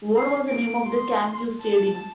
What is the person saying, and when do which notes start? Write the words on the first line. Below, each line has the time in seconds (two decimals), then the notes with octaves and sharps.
What was the name of the camp you stayed in?
0.19 C7
0.49 D7
0.88 C6
1.61 A5